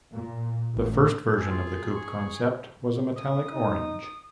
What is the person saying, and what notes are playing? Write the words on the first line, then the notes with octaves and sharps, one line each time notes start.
The first version of the Coupe Concept was a metallic orange.
A#2
A1
G#4 A4
F4
C#6
D#6
D#4